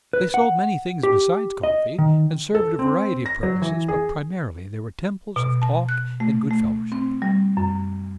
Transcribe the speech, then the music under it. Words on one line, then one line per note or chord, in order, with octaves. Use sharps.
They sold many things besides coffee, and served a variety of purposes, but primarily they were temples of talk and good-fellowship.
B4
F#5
G4
D#5
D#3
A4
C4
A#6
F#3
E3
G#4
B2
A5
F#6
A3
A3
C4
G3
F#2